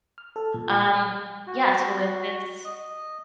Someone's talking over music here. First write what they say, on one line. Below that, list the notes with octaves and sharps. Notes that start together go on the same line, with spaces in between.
Um, yeah, so if it's
F6
A4
A#2
F#5
F#4
D#5